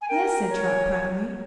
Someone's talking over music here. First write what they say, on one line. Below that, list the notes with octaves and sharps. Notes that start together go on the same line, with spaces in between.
"Yes," said Trot, proudly.
G#5
A#4 G5
C#5
G#5